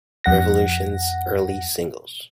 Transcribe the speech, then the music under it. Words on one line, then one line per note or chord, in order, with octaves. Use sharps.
Revolution's early singles.
F2 F#5 A#6